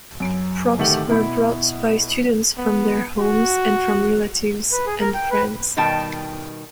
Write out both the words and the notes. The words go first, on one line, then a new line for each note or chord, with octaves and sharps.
Props were brought by students from their homes, and from relatives and friends.
F#2 D7
D1 D#3 A3 G4 F#5 F#7
B2 E4 B5
B3
F#4
B4
G#4
A#4
G5
B4
B2 D#3 G3 G5 A5